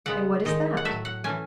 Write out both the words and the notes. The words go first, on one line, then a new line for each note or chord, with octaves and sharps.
"And what is that?"
C#3 G#3 B3 F#5
D#3 G#3 D#4 D#5
F#5
A2 F#3 A3 E5
F#5
E3 A3 C#4 G#5